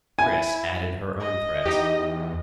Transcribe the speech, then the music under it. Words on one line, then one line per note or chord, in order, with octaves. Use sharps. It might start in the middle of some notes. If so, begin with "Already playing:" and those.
Chris added her own threats.
E4 G#5
D#5
E2 D#4 G4